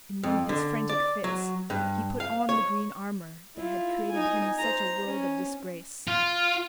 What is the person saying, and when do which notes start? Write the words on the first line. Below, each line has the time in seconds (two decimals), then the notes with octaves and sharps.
In one of his frantick Fits, he put on the green Armour, that had created him such a World of Disgrace.
0.23 F2
0.49 D3
0.89 D5
1.24 F#3
1.70 G2
2.20 F5
2.49 C#5
3.56 E4 F4
4.11 D#4 G#5
4.58 C5 A#5
5.07 C#4
6.08 F4